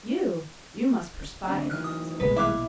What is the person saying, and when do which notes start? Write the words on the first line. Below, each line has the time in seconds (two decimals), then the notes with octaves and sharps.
"You! you must perspire," said the Queen.
1.47 D3 C4 D4
1.70 E3 D#4 F#4 F6 F#6
1.84 D#6
2.20 A#1 B2 G3 G#3 B4
2.36 E4 E5 F5 D6 F#6